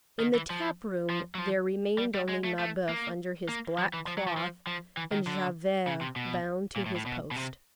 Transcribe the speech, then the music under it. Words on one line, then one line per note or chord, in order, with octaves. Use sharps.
In the tap-room there remained only Mabeuf under his black cloth and Javert bound to his post.
D#3
E3
F3
F3
F#3
F3
G3
G3
G#3
A3
A3
A#3
A#3
F3
E3
F3
F#3
F3
F3
F3
E3
D#3
D3
C#3
C3
B2
A#2
A2
A2
B2
B2
C3